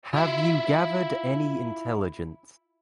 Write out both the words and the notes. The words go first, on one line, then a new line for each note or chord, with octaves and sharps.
Have you gathered any intelligence?
E4 F4